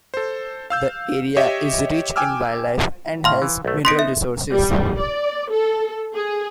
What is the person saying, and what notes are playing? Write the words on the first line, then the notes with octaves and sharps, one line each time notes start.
The area is rich in wildlife and has mineral resources.
A4 C5
F5 E6 G6
G4 C#5 D#5 E5
G5 G#5 D6 E6 F6
A2 F5 C6 F6
E3
B1 A3
B3 D#4 C6 B6 D7
E5
G3
D5
A4
G#4